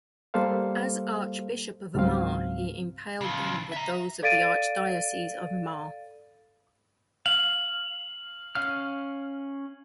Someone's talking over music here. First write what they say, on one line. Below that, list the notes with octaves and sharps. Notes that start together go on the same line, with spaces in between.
As Archbishop of Armagh he impaled them with those of the Archdiocese of Armagh.
G3 A#3 A4 C5 F5
C#2 G#2 F#3 C4 F5
C#3 F3
E5 A#5
A4 D5 F5 A6 D7 D#7
F5 F#7
C#4 F5 F6